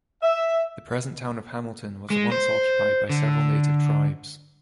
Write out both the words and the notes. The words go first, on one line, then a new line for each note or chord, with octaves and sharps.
The present Town of Hamilton was once occupied by several native tribes.
E5
G#3
C5
D3